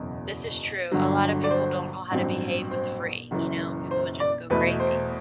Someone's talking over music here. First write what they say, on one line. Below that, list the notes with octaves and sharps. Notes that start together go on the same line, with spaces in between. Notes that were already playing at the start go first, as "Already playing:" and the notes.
This is true, a lotta people don't know how to behave with free, you know? People would just go crazy.
Already playing: F#1 E2 B2 F#3
G1 G2 D3 F#3
D5
C5
A1 G2 F#3 C4
C5
F#1 F#2 E3
C5
D5
E2 B2 A3 B4
C5